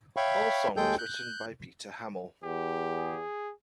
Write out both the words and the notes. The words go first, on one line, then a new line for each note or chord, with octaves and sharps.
All songs written by Peter Hammill.
C#5 E5 F5 G5 B5 C#6
D#2 G#3 G#4 A4 G5 G6
F#6 G6
E2 G4
G#4